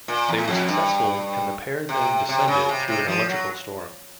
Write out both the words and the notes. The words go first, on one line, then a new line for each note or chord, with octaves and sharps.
They were successful and the pair then descended through an electrical storm.
A#2
E2
F2
G2
C3
C3
C#3
C3
C3
F3
F#3